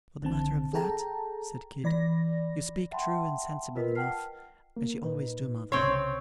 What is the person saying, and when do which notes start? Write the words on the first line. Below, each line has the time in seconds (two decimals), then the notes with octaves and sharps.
'For the matter of that,' said Kit, 'you speak true and sensible enough, as you always do, mother.
0.22 A#1 D3 C4 A5
0.73 G#4 A4 G5 A5 A#5
1.84 E3 D5 B5 A#6
2.91 E5 F#5 G5 A5 B5 C6
3.75 F4 A#4 B4 D#5 B6
3.95 F#5 G5 A5 F6 C7
4.77 A#3
5.04 A#2 D#4 B4
5.72 C2 C#3 C4 C#5 C6